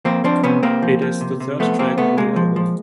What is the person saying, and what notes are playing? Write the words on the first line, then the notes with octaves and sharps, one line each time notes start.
It is the third track on the album.
F3 A#3 C4
F3 C4 D4
C3 B3 C#4
C3 A#3 C4
F3
F3
C3
C3
F3 A3 B3
F3 A#3 C4
C3 A3 B3
C3 G#3 A#3
F3
F3